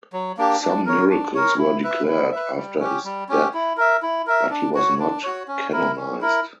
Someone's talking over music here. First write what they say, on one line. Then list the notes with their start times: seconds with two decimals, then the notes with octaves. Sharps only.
Some miracles were declared after his death but he was not canonised.
0.13 F#3
0.37 A#3 D4 G4
0.62 D4
0.86 A#4 C#5
1.09 D4
1.35 A#4 C#5
1.58 E4
1.84 B4 E5
2.07 E4
2.32 B4 E5
2.56 G3
2.80 C#4 G4
3.05 G3
3.29 C#4 G4
3.54 E4
3.77 A#4 E5
4.03 E4
4.27 A#4 E5
4.50 D4
4.74 F#4 C#5
4.99 D4
5.24 F#4 C#5
5.48 C#4
5.72 E4 A#4
5.97 C#4
6.21 E4 A#4